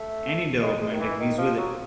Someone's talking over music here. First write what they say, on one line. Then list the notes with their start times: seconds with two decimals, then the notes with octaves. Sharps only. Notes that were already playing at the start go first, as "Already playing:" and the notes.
Any development agrees with it.
Already playing: A3
0.62 G#3
0.81 G#3
0.92 D#3
1.00 E3
1.20 D#3
1.38 F3
1.58 F#3